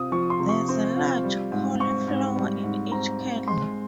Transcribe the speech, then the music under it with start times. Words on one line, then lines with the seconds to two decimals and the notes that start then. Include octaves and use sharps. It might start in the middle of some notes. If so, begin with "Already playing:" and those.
There's a large cauliflower in each candle.
Already playing: C3 C4 F4 D#6
0.12 F3 C#6
0.30 C6
0.40 C3
0.49 C#6
0.69 C4
0.96 F4
1.24 G3
1.52 G#2
1.80 C4 C#6
2.08 G#2
2.36 G3
2.63 G#2
2.92 C4 A#5
3.20 G#2
3.48 G#3 C6